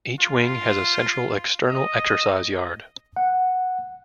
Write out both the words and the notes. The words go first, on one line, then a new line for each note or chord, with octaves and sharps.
Each wing has a central external exercise yard.
F4
D#5
F#5